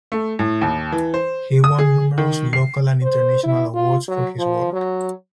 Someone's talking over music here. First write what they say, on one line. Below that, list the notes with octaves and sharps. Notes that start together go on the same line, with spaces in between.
He won numerous local and international awards for his work.
A3
A2
D#2
E3
C5
D#6
G#4
D#3
C7
C5
E4
F4
F#3
F3
F#3